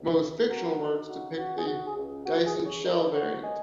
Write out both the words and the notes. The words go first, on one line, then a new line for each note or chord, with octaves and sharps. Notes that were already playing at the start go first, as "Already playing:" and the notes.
Most fictional works depict the "Dyson shell" variant.
Already playing: C#2
C#3
A#3 F#4 A#4
D#4
C#3 F#4
C#2 F#4
G#4
C#3 F#4
G#4
C#2
C#2 F#4
G#4
C#3
G#4 C#5
C#4 A#4 D#5
A#3 C#5 F#5
G#3 D#5 G#5